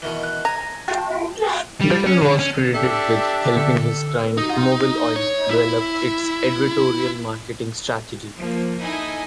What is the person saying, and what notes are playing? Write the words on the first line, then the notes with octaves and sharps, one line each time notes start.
Dutton was credited with helping his client Mobil Oil develop its "advertorial" marketing strategy.
B2 D#3 E3
F#6
G#5 A#5 A#6
F5 G5 A5
G3
C#4
D3
C#4
D4 G4 A4 E5
D3 A4
D#4
C#5
E4
F3 A#3
D#4 E4 A4 D#5 E5 G#5